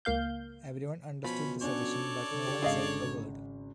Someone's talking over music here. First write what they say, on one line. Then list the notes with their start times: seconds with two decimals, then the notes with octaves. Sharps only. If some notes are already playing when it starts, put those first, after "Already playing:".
Everyone understood the suggestion but no one said a word.
0.05 C#2 A#3 F5 G6
1.24 B2 F3 C#4 B5
1.62 C#4 D4 F#4 A4 C#5 D5
2.31 D3
2.47 D4 G4
2.62 G#1 C#3 G#4 D#5 F5